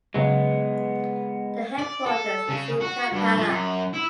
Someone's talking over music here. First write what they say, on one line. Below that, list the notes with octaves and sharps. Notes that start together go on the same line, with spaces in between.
The headquarters is in Kampala.
C#3 F#3 G#3 B3
D5
A4
C#3
F#4
G2
F3
F#2
E4